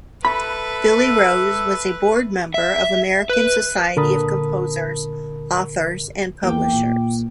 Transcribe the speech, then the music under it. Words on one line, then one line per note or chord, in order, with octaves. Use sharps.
Billy Rose was a board member of American Society of Composers, Authors, and Publishers.
A4 B4 E5 B5
E5
B4
A#2 D3 A#4 A5 B5 D#6
E2 A#3 G5 D6
A#2